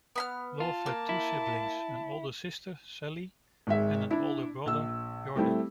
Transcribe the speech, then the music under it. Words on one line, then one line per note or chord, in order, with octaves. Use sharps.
Love had two siblings: an older sister, Sally, and an older brother, Jordan.
B3 B5 F6
F4 A5
A#3
E4
G#1 G#3 E5
D4 E4
A#1 E6
G3 A3 C4 E4